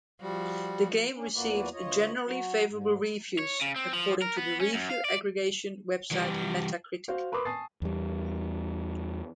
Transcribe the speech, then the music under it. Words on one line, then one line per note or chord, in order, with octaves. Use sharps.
The game received "generally favourable reviews" according to the review aggregation website Metacritic.
F3 G3 F#4
C#4 D4
E2 F3 A#3 F#4 B4 D5
D2 F4 C#5 D#5
F#3 F#4
G#2
C#5
C#3
C4
F3
A#4
B3
C#4
F#2
F5
D5
E3 G3
F#4 C5 F5
A#4 B4 B5 C6 D6 D#6
G#5 A5 C#6 D#6 A6 C7
E2 G3